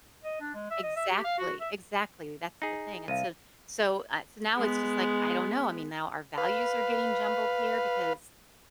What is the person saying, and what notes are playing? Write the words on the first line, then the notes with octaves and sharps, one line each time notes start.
Exactly, exactly, that's the thing, and so so, uh, so now it's just like, I don't know, I mean now our values are getting jumbled here because,
D#5
D4
G#3
E5
D#5
E5
G4
F5
F#4
E5
D#4 G#4
C2 F5 D#7
G#3 B3
B4 F5